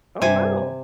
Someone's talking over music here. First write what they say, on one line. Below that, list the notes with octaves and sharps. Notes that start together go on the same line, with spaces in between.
Oh, wow.
G2 C3 G#5